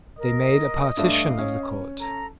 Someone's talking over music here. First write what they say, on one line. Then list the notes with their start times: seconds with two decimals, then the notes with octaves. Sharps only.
They made a partition of the court.
0.18 A#4 D#5
0.97 G2 A3 D4 F5
1.39 C#4
2.00 A4 A#5